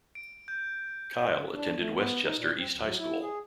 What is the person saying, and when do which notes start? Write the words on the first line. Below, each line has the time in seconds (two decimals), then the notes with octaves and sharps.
Kyle attended West Chester East High School.
0.15 D7
0.48 G6
1.55 D4
1.78 A3
1.95 B3
2.23 D#4
2.35 A#2
2.56 C4
2.71 D2
2.83 F#3
2.98 E4
3.22 G#4